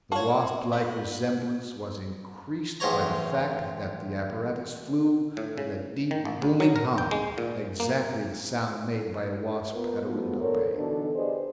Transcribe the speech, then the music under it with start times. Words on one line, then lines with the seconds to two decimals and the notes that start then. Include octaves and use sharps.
The wasp-like resemblance was increased by the fact that the apparatus flew with a deep booming hum, exactly the sound made by a wasp at a windowpane.
0.12 F4 F#4 C#5 A5
0.72 B3
2.80 A1 G#2 C5 C#5 A#5
5.37 A2
5.58 C#3
6.11 D#3
6.25 A1
6.42 D2
6.60 F#3
6.76 A#4
6.98 G5
7.11 G#3
7.38 A#2
7.80 A#3
9.73 B3 F4 A#4 B4
10.05 F3 G3 A3 B3 F4 F#4
10.39 D2 A#2 A4 A#4 C5 C#5
10.76 B2 D3 E3 D4 D#4 A4
11.14 G4 G#4 B4 C5 D5 D#5